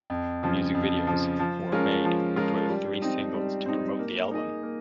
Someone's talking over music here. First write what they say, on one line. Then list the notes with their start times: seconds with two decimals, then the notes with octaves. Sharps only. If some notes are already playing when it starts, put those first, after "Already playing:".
Music videos were made for the three singles to promote the album.
0.10 F2
0.43 C#3 F3
0.74 F2
1.07 C#3 F3
1.39 F3
1.72 G#3 C#4 F4 A#4
2.05 F3
2.36 G#3 C#4 F4 A#4
2.69 G3
3.02 C4 D#4
3.34 G3
3.66 C4 D#4
3.99 A#3
4.31 D#4 G#4 D#5
4.63 A#3